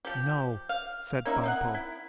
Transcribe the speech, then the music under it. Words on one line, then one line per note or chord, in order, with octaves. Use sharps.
"No," said Bumpo.
F3 G4
F5
A#3 C#4 D#4 E4
C4 D#5 F#5
E4